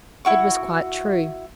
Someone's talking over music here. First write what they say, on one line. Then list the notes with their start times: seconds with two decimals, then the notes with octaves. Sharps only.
It was quite true.
0.25 E4 F#4 C#6